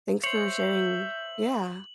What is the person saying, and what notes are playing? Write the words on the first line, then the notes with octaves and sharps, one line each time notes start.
thanks for sharing Yeah,
C5 C#5 E5 G6 F#7